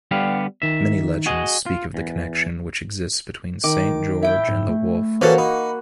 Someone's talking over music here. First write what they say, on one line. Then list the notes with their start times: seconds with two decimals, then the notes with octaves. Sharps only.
Many legends speak of the connection which exists between St. George and the wolf.
0.11 D3 G3 B3 G4 F5
0.62 D#3 E5
1.26 F#4 G#4 D#5
1.66 F4
1.94 E2
3.64 D#3 D6
4.23 E4 E5 G5
4.49 G#2
4.69 A3
5.21 E3 A#3 C#4 F#4 A4 C5
5.38 D#4 B5